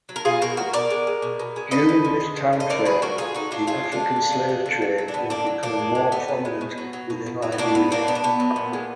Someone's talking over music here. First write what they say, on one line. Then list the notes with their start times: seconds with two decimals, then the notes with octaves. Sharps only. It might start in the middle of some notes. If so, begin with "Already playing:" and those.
During this timeframe, the African slave trade was becoming more prominent within Liberia.
0.09 F#3
0.16 A#4
0.25 B2 F4 G#4
0.42 B2 F#4 A#4
0.57 F#3 F#4 A#4
0.73 B2 A#4 D5
0.90 G#3
1.07 G#3
1.22 B2
1.39 B2
1.56 G#3
1.71 D3 B4 D#5
1.89 D3
2.05 F3
2.21 G#3
2.37 D3
2.53 D3
2.60 D#5
2.69 D3 A#4 D5
2.85 F#3 G#4 B4
3.02 F#3 F#4 A#4
3.18 D3 F4 G#4
3.34 D3 D#4 F#4
3.51 F#3 D4 F4
3.67 D3 F4 G#4
3.83 G#3
3.92 D4 F4
4.00 G#3
4.16 D3
4.32 D3
4.49 G#3
4.66 D3
4.82 F#3
4.98 F#3
5.08 D4
5.14 D3 B3
5.30 D3 A#3 D4
5.46 F#3
5.63 D3 A#3 D4
5.79 G#3
5.95 G#3
6.12 D3 B3
6.28 D3
6.45 G#3
6.61 B2
6.78 F#3
6.93 F#3
7.10 B2
7.26 B2
7.42 F#3
7.52 B3
7.58 B2 A#3 D4
7.75 F#3 B3
7.91 F#3 A#3 D4
8.07 B2 B3
8.15 D4
8.24 B2 B3
8.40 F#3
8.56 A#2
8.73 G#3